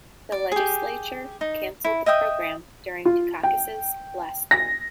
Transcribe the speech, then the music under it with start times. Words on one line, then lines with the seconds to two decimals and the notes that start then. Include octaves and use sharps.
The legislature canceled the program during Dukakis's last term.
0.32 D5
0.52 G4 G#4
1.41 D#4
1.84 E4
2.06 D#5 E5 G5 D#6
3.05 F4
3.43 G5
4.51 A#6